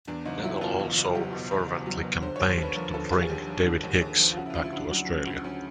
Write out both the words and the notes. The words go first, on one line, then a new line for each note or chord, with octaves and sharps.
Nettle also fervently campaigned to bring David Hicks back to Australia.
E2 D4
F#1 D#4
F#3 E4
B2 F4
E2
F#1
F#3 G4
B2
E2
F#1
F#3
B2
D3 C5
D#2 C#5
C5
D#2
B4
F3 A#4
D3 A4
D#2 G#4
G#4
D#2 G4
F3
D3
D#2
D#2
F3
F4
C#3 F#4
E4
D2 F4
E4
D2 D4
F#3
C#3
D2
D2 C#4